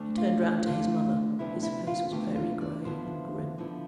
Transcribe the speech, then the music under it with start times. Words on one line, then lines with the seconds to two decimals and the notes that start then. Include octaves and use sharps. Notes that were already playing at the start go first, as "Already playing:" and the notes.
He turned round to his mother; his face was very gray and grim.
Already playing: D2 D3 A3 D4
0.18 F4
0.42 G4
0.66 D2 D3 A3 D4 F4
1.39 D2 C3 F3 B3 D4 E4
1.63 E4
1.87 F4
2.12 D2 C3 F3 B3 D4 G4
2.36 F4
2.61 D5
2.85 D3 F3 B3 E4 C5
3.58 D3 F3 B3 E4